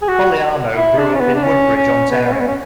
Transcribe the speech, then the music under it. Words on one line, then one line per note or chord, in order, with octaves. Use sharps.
Cogliano grew up in Woodbridge, Ontario.
G#4
F#4
E4
D4
C#4
B3
D4
C#4
C#4
B3
B3
C#4
B3
C#4